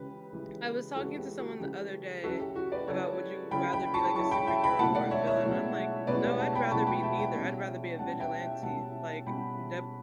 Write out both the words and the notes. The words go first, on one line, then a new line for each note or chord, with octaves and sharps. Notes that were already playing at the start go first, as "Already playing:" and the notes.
I was talking to someone the other day about, "Would you rather be like a superhero or a villain?" And I'm like, no, I'd rather be neither, I'd rather be a vigilante like Deadpool.
Already playing: C#2 C#3 E3 G4 B4
C#2 C#3 E3
C#2 C#3 E3 F#4 A4
G4
F#4 A4
C#2 C#3 E3 G4
C#3 F#3 C#4 E4 F#4 A4
G4
F#4
B4 D5
C#3 F#3 C#4 E4 A4 C#5
C#3 F#3 C#4 E4 G5 B5
G5 B5
A5 C#6
C#3 F#3 C#4 E4 A5 C#6
G5 B5
E5 G5
G5 B5
C#2 B2 F#3 A3 E4 F#5 A5
D5 F#5
C#5 E5
C#5 E5
C#2 B2 F#3 A3 E4
C#2 B2 F#3 A3 E4 B4 D5
G4 B4
F#5 A5
G5 B5
C#2 B2 F#3 A3 E4 A5 C#6
G5 B5
E5 G5
E5 G5
B2 G3 C#4
B2 G3 C#4 F#5 A5
E5 G5
E5 G5
B2 G3 C#4 F#5 A5
B2 G3 C#4 G5 B5